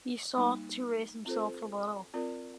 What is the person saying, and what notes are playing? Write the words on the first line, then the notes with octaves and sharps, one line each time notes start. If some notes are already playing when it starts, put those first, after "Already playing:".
He sought to raise himself a little.
G3 A#3 D#4
C4 F4 A4 C5
C4 F4 A#4 D5